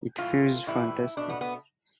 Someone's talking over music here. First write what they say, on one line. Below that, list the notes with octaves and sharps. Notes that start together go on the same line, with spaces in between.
It feels fantastic.
A2 E3 A3 F4
A2 E3 G3 E4
B2 A3 D4
B3
B3